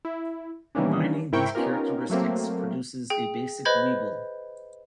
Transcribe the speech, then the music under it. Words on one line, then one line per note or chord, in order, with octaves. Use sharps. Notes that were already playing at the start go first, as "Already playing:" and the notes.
Combining these characteristics produces a basic Weeble.
E4
D#3 E3 G3 A#3 C#4 D4
G#2 E4 A#4 C5 G5 C#6
B3 C#4 D#4 F4 G4 A#4
F#3 A3 A#3 C4
G#4 G5
B4 C5 D#5 B5 G6 G#6